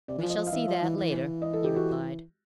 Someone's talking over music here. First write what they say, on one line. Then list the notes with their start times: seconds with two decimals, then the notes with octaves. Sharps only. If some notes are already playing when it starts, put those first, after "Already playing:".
"We shall see that, later," he replied.
0.08 C3 D5
0.18 E3
0.23 F3
0.30 D#5
0.37 F3
0.47 F5
0.52 E3 E5
0.68 F3
0.82 E3
0.97 E3
1.42 D#5
1.53 A4
1.64 G4
1.76 F#4